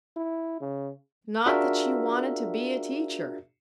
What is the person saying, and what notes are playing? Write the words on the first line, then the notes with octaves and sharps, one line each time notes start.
Not that she wanted to be a teacher!
E4
C#3
D4 F4 F#4 G#4 A#4 E5